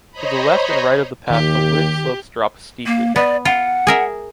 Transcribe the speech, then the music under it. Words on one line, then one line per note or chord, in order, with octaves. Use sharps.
To the left and right of the path the wooded slopes drop steeply.
C5 C#5 D#5 A#5 B5
D#2 D#3 G4
A#3
B3 D5
F4 F#5
G#4 A#4 E5